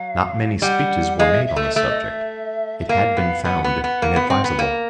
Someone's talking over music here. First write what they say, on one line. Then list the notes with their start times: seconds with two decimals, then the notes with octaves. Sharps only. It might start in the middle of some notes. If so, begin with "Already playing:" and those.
Not many speeches were made on the subject; it had been found inadvisable.
Already playing: F#3 F5
0.62 G3 F#5
1.18 G#3 F5
1.33 E5
1.47 E5
1.56 A3
1.62 E5
1.75 A3 E5
1.89 D#5
2.02 E5
2.80 E5
2.89 A#3 F5
3.17 B3
3.45 B3 F#5
3.64 B3
3.84 B3
4.02 A#3
4.16 B3
4.30 C4
4.44 B3
4.59 A#3